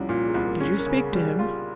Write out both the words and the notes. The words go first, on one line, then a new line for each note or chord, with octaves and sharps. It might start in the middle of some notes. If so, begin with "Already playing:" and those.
"Did you speak to him?"
Already playing: C2 F3 G3 C#4 E4
A#2 F4
G#4
C2
A#4
C#4 G#4
A#4
C#3
G#4
G3 G#4
F4